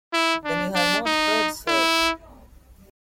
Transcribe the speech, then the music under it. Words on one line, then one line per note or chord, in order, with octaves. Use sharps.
Then you have not heard, sir?
E4
D4
D4
D#4
E4